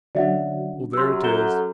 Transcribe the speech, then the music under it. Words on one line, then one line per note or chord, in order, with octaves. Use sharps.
Well, there it is.
D3 F#3 C#4 D5 E5 F#5
F#2 G4 C6 E6
A4 F#5 A#5 G6 E7 G7